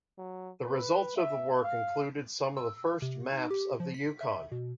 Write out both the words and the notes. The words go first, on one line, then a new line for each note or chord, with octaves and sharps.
The results of the work included some of the first maps of the Yukon.
F#3
B4
E5
F5
E6
C3
D#4
G4
F3
B6
E5
B2